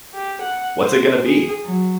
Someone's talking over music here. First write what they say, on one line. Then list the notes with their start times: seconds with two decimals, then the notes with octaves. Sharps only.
What's It Gonna Be?!
0.13 G4
0.42 F#5
0.82 C5
1.25 G#4
1.64 F#3